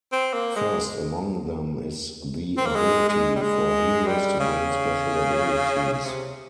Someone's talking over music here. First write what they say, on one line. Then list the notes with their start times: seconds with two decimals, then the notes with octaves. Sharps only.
First among them is the ability for heroes to gain special abilities.
0.12 C4
0.33 A#3
0.56 G#3
2.57 C4
2.66 A#3
2.75 G#3
3.09 G#3
3.36 G3
3.42 G#3
4.07 G3
4.40 C#3
5.93 C#3
6.05 C3